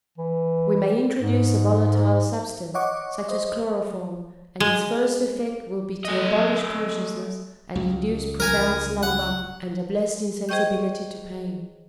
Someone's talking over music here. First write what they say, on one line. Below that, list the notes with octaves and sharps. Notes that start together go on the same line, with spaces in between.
We may introduce a volatile substance, such as chloroform, and its first effect will be to abolish consciousness and induce profound slumber and a blessed insensibility to pain.
E3
G#2
C#5 D#5 F#5 C#6 D6
C5 D#5
G#3
A3 D#5
C#2
A#4 G#5 A#5
F#5
G#4 C5 D#5 G5 C#6 G6